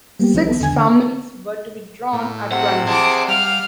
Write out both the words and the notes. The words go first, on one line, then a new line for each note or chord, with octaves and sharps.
Six families were to be drawn, at random.
G3 A#3 B3 G4
C2 D#3 F3 C#4 B4
B3 A4 B4
E2 D3 G#5 G#6
D3
A2
C3 F#5
G#4 C5 D5 A5 D6
G3 F5 F6